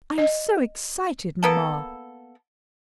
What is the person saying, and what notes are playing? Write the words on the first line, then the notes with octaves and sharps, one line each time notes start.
"I'm so excited, mamma."
D#5
A#3 B3 A4